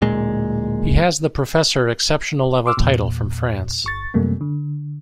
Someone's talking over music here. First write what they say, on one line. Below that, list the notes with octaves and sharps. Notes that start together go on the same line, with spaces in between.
He has the Professor exceptional level title from France.
D1 A#2 G#3
C6 D6 E6 F6
E2 A#2
G1 C#6 A6
F#2 C3 G3 A3 A#3
D3